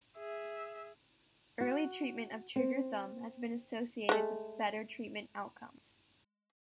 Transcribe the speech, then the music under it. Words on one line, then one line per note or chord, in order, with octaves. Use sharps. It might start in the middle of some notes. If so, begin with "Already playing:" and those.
Early treatment of trigger thumb has been associated with better treatment outcomes.
G#4 E5
F#4
C4
G#3 A3